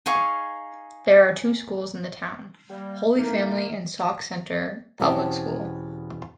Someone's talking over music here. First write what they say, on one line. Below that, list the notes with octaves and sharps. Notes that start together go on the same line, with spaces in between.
There are two schools in the town: Holy Family and Sauk Centre Public School.
D#4 G#4 F5 C#6
G3 A#3
A2 A3 A#3 D#4
E2 B2 C4 C#4 G4 A5